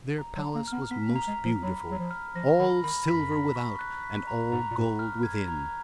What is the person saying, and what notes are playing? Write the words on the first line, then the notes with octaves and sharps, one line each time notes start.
Their palace was most beautiful, all silver without, and all gold within.
A#5
F#3
A#5
A#3
F6
B3
B3 B6
A#3
A#5
G#3
A#5
F3
F#3 B5
F#3 B5
F3
F6
F3 A#6
D#3 B5
D#3 B5
F#2 B6
A#5
C#6
F#6
B6
A#5
G#2 A#5
A#2
G#2 A#5
F6
G#6
A#5